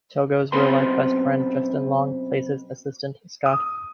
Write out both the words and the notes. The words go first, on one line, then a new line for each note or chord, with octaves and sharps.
Togo's real-life best friend Justin Long plays his assistant, Scott.
F#2 B2 C4 B4 C6
D#6